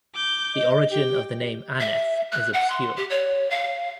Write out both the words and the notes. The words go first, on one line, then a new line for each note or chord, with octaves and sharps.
The origin of the name Aneth is obscure.
D6 G6
D#5
G4 G5
E5
F#6
F#5
C6
G4
C#5
F5